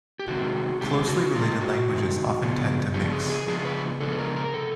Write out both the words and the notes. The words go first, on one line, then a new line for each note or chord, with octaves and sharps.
Closely related languages often tend to mix.
G4
C3 D#3 G#3 C4 F#4
C3 D#3 G#3 C4 G4
F#4
C3 D#3 G#3 C4 F4
F#4
C3 D#3 G#3 C4
C#3 F3 G#3 B3 D4
C#3 F3 G#3 B3 D4 G4
G#4
G#4
C#3 F3 G#3 B3 D4 G#4
B4
C#3 F3 G#3 B3 D4 A4
B4
A#4
A#4
C3 A4